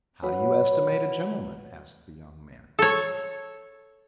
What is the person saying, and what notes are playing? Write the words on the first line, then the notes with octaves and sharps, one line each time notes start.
"How do you estimate a gentleman?" asked the young man.
F#3 B4
A4 C#5